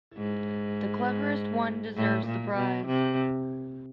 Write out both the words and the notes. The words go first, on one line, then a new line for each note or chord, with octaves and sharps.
The cleverest one deserves the prize.
G#2
A2
A#2
B2
C3